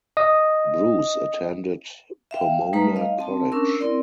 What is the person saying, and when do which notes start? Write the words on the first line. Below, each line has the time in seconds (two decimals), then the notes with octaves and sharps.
Bruce attended Pomona College.
0.17 D#5 D#6
2.31 E5 F5 G5
2.73 G3 A3 D#4 B4 A#5
2.96 D#5 F5
3.19 C4 A5
3.52 C#4 D4 A#4 E6
3.80 C4 E4 A#4 D5